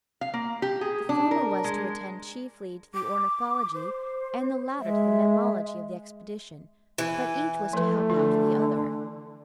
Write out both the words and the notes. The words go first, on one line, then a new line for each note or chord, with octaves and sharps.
The former was to attend chiefly to the ornithology and the latter to the mammalogy of the expedition; but each was to help out the other.
F5
A#3
G4
G#4
D4
A#4
G#3
D6
C5
G#3 E5
E3
F3 A3 B4
D3 F4 A4